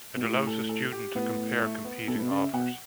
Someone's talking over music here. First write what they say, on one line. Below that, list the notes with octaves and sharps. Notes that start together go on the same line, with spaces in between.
It allows a student to compare competing offers.
B2
A2 G4
A4
A4
G4
A2 B3
A3
B3
B2 A4
A2
B2 B4
C#3 D5
E5
B2 F#5